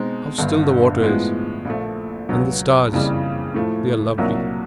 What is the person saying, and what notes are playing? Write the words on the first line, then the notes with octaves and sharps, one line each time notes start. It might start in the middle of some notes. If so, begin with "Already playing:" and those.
"How still the water is; and the stars, they are lovely!"
Already playing: B2 G#3 C4 D#4
G1 G2 D3
A2 F3 G#3 B3
A#1 A#2 F3 A3
C#2 B2 F#3 B3
F#1 F2 C#3 E3 G3
A2 F3 A3
C2 A#2 F#3 A#3